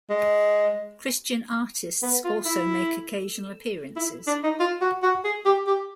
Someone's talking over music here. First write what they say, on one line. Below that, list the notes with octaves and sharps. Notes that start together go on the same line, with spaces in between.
Christian artists also make occasional appearances.
G#3
B3
F4
E4
E4
D4
D#4
F4
F#4
F#4
G#4
G4
G4